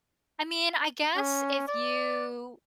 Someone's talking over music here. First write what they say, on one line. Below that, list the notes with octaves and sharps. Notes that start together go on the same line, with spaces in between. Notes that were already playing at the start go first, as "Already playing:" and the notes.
I mean, I guess if you
C#4
D5